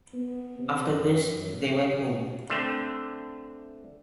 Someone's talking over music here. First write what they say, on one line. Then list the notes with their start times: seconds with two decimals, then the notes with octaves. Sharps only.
After this, they went home.
0.13 B3
0.58 C3
0.89 F#2
1.36 F#2
2.50 D3 A3 C4